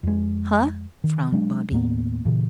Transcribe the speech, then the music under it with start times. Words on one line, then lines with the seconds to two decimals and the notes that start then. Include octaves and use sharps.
"Huh?" frowned Bobby.
0.03 F2 G#3
1.04 D#3
1.32 F#3 G#3 D4
1.71 D#2 A2 A#3 B3
2.25 A#2 C#3 E3